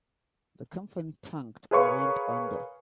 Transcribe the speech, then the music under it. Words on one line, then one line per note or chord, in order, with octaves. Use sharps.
The company tanked and went under.
G#4 A#4 B4 C#5 F5 C#6